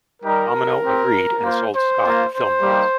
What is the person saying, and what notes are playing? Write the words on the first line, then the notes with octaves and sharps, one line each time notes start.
Domino agreed and sold Scott the film rights.
G3 D#4 G4 A#4
C4 G4
A#3 F4 C5
C5
A#3 F4
C5
G3 A#3 D#4 G4